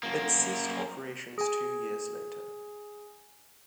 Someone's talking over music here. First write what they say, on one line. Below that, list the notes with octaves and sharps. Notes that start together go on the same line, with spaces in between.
It ceased operations two years later.
F#2 A#3
G#4 G#5